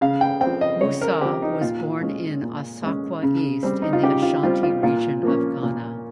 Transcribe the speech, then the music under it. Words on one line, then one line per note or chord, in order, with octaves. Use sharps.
Musah was born in Asokwa East in the Ashanti Region of Ghana.
C#3 F5
G5
C4 G5
F3
D#5
C#3 C#5
A#4
F3 C4 G4
D#4
A#2 F4
G#3 C#4
A#2
G#3 C#4
C#3
G3 C4
D#4
F4
C#3 G4
F4
G3 C4 F4
F4
A#2 F4
F3 A#3 C#4
A#2